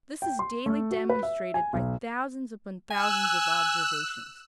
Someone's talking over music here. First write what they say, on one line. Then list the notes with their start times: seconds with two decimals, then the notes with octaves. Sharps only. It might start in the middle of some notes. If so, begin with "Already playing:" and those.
This is daily demonstrated by thousands upon thousands of observations.
0.22 G5
0.39 C6
0.66 A3
0.91 F#4
1.10 B4
1.23 E5
1.54 G#5
1.73 B1
2.91 G#5 E6 F#6